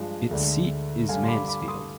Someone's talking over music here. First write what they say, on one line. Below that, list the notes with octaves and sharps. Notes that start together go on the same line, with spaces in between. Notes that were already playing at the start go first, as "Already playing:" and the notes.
Its seat is Mansfield.
Already playing: G2 F3 G#3
D2 D3 G#3
G2 D3 G3 F5 G#5
C6
B5 D6
B5 D6
C6 D#6